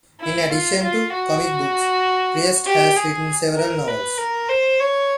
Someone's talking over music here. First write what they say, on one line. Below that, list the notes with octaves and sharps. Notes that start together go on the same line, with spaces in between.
In addition to comic books, Priest has written several novels.
E4
F4
F4
F#4
G4
G#4
A#4
B4
A#4
C5
C#5